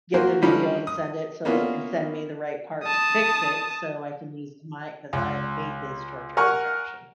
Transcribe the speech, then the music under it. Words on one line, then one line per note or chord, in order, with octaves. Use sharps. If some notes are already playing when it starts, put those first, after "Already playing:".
get the video and send it, so they can send me the right part to fix it, so I can use my 'cause I hate his torture contraption.
F#3 A#3 F#4 C5 G#5
D3 F3 G3 C#4 D#4
D#6
A#3 B3 C#4 E4 F4
A5 D#6
C#2
A#4 F#5 G#5 C#6 F6